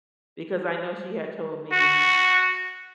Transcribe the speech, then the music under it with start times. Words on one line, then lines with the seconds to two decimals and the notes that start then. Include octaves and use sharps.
because I know she had told me,
1.72 F#4